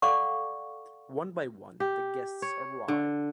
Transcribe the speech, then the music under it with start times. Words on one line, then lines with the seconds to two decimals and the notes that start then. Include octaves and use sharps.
One by one, the guests arrive.
0.02 A4 D5 F5 F#5 C#6 D6
1.80 G4
2.42 C#5
2.88 D3